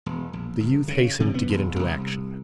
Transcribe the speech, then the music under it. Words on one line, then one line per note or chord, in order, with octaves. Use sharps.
The youth hastened to get into action.
E1
A#1
G1
C#3
C3
B3
E1
C2